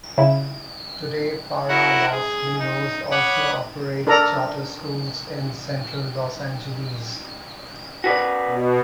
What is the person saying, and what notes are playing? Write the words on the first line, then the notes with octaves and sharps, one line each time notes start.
Today Para Los Ninos also operates charter schools in Central Los Angeles.
C#3 E4
E4 F#4 A#4 F#5
G#4
D#4
C#5 F#5 B5 D6 D#6
D4 A4 A#4 D5 A#5
F#4 B4 D5
B2